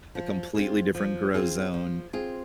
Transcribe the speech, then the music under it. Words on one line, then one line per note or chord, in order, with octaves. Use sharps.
A completely different grow zone,
F3
C4 F4 G#4
F3
C4 F4 G#4
F3
C4 F4 G#4